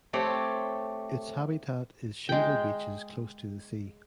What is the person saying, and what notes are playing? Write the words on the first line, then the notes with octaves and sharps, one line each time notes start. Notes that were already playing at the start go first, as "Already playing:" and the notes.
Its habitat is "shingle beaches close to the sea".
A3 C4 G4 A4 C#5
G#3 G5